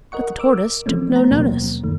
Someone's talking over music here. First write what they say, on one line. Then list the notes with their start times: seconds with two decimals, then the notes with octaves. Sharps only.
But the tortoise took no notice.
0.12 A#4 D#5 F#5 C#6
0.38 A#4 D6 E6
0.86 E3 F3 A3 C4 C#4
1.16 C5 A#5
1.31 D#2 B2 F#3 A#3 C#4
1.83 F#2 D#3 A3